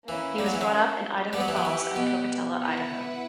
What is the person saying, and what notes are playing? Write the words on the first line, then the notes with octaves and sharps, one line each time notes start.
He was brought up in Idaho Falls and Pocatello, Idaho.
E3 A#3 C#4 E4
G3
F#3
E3
F#3
G3 G4 B4 F#5
F#3
E3
F#3
E3
B2
E4 B4 F#5